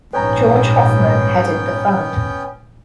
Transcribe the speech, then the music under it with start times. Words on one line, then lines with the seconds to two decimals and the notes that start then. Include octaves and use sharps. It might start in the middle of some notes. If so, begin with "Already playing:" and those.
George Hoffman headed the fund.
0.13 A#1 G#2 B3 C#4 B4 C#5 G5 A#5